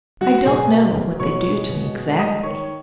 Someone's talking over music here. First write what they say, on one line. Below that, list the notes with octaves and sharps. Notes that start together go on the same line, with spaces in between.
I don't know what they do to me exactly.
F#3 F#4 F#5
B2 G#4 G#5
A#3
F#3
B2 C#5 C#6
G#3
B2
G#3
A#3 D#5 D#6
D#3 C#5 C#6